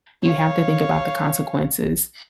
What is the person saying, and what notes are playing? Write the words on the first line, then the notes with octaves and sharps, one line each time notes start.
you have to think about the consequences,
C#5 F5